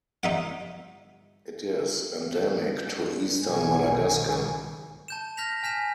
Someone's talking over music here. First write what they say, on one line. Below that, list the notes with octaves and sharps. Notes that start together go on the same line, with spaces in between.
It is endemic to eastern Madagascar.
D#4 E5 F#5
D4
B1 D#3 G#5
A5 G6 E7
F6 G6 A#6 B6 F7
G#5 F6 B6 E7